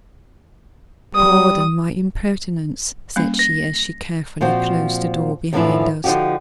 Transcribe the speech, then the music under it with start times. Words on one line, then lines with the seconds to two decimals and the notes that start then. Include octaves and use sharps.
"Pardon my impertinence," said she, as she carefully closed the door behind us.
1.15 G3 D#6
3.16 G3 A#3 C#4
3.39 A#6
4.41 A#2 F3 C4 F#4 C5
5.53 F#2 A2 E3 F3 D4 E4
6.04 D3 F3 D#4 F#4 G4